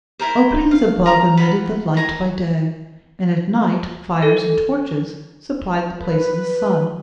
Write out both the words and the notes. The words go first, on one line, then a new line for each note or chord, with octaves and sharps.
Openings above admitted the light by day, and at night fires and torches supplied the place of the sun.
E4 F4 A#4 C5
F5
A#4 A#5 D#6
F4 F#5 B5
G#5 A#5
A4
B4